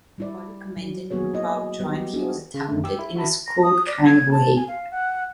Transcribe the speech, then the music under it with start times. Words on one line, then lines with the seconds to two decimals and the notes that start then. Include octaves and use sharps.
McCauley commented when Crowell joined "he was talented in a schooled kind of way".
0.18 G3 E4 D5
0.77 F#3
1.11 F#3 A#3 B3 F#4 G#4 C#5
1.34 E4 D#5
1.80 F#3 G3 B3 G4
2.14 B3 D4 E4 F#4 G#4
2.54 C#3
2.68 F#2 A3
2.84 G4 E6
2.99 E4
3.15 F#4 E5 A5 B5
3.47 A#6
3.63 D#6
3.87 D5
4.05 G#6
4.31 A5
4.56 G#5
4.68 F5
4.91 F#5